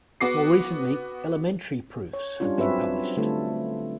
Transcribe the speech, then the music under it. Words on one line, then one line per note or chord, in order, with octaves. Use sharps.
More recently, elementary proofs have been published.
B3 F#4 D6 C7
C#5
G3 C#4 D4 F4
F#3 C4 F#4 B4 C#5 E5
D3 G3 A3 F4 A4